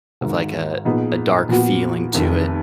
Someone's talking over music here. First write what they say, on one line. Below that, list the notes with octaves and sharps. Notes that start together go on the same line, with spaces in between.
of like a a dark feeling to it.
G#1 G#2 D#3
A#2 F3 B3 D#4 G#4
A#2 F3 B3 F#4
F1 F2 D#3